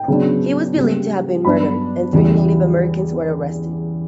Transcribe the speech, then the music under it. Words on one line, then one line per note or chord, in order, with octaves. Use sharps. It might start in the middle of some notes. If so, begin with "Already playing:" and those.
He was believed to have been murdered, and three Native Americans were arrested.
Already playing: G5
C#3 F#3 B3 D4
C#3 G3 A#3
G2 F#3 B3 D4 B5
E2 C#3 E3 G3